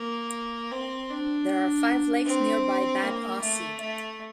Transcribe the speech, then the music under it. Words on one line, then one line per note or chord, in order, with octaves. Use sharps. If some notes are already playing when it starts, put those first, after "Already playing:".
There are five lakes nearby Bad Aussee.
Already playing: A#3
C4
D4
C4
A#3
A3
A3